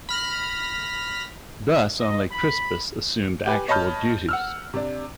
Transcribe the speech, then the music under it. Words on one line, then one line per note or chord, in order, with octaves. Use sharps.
Thus only Crispus assumed actual duties.
B5 F6 A#6
D#5
B5
G4 B4 G#5
C#5 D#5 A5 B5 F6 G6
F#5 E6 F6
C3 D4